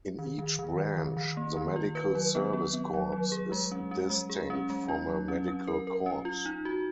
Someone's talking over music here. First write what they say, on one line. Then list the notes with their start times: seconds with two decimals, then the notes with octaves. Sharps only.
In each branch, the Medical Service Corps is distinct from a medical corps.
0.19 D#3
0.39 D#3
0.59 D#3
0.78 D#3
0.97 D#3
1.17 D#3
1.37 A#3
1.57 D#3
1.76 F4
1.95 B4
2.15 F#3
2.35 B3
2.53 B3
2.73 B3
2.94 F#3
3.12 F#3
3.32 G#4
3.52 G#3
3.72 C#4
3.91 C#4
4.10 G#3
4.30 G#4
4.50 C#4
4.70 G#3
4.88 F4
5.09 F#3
5.28 C#4
5.48 C#4
5.68 A#4
5.87 A#4
6.06 C#4
6.25 F4
6.46 D#4
6.65 F#4